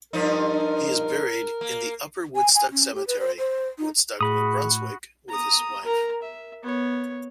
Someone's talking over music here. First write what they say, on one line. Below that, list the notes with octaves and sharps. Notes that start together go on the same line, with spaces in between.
He is buried in the Upper Woodstock Cemetery, Woodstock, New Brunswick with his wife.
G2 F3 D#4 A#4
A#3
G#5
G#5
C#4
G4
B4
C5
C5
D#4
A2 F#4 G#4 B5 D#6
A#5 D#6
A#4 A#5
E5
B3 C#5